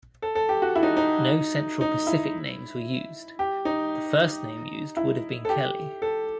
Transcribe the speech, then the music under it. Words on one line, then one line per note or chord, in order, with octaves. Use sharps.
No central Pacific names were used; the first name used would have been Keli.
A4
A4
G4
F#4
E4
D#4
D#4
D#4
E4
G4
D#4
E4
A4
G4
A4